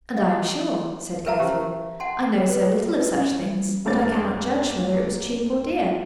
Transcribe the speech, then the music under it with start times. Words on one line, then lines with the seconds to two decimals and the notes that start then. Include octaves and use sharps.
"And I am sure," said Catherine, "I know so little of such things that I cannot judge whether it was cheap or dear."
0.17 D#5 F5
1.26 A#4 B4 E5 F5 A5 A#5
1.39 C#4 G4 C5
2.00 F#5 A5 C6
2.49 B4
2.67 G#4
2.92 B4
3.13 C#4
3.41 G3
3.85 F1 A3 A#3 D4 A6